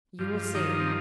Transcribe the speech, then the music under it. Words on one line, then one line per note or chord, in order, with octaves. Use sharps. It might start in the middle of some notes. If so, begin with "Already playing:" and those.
"You will see."
G2 F3
D#3 D#4
C4